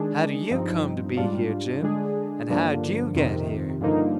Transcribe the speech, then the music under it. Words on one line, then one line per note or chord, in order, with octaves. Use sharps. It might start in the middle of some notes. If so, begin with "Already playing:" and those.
"How do you come to be here, Jim, and how'd you get here?"
Already playing: D#3 G#3 D4 G#4
G2 F3 C4 D#4
G#2 G3 D4 F4
D3 G#3 D4 G#4
G2 D3 F3 A#3 D4
F2 C3 D#3
G2 D3 F3 A#3 D#4